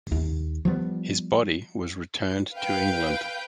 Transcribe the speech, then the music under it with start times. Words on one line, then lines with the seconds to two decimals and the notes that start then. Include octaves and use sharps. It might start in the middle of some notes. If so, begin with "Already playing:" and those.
His body was returned to England.
0.12 D#2
0.65 F3 G3 B3
2.56 B4 F5 G5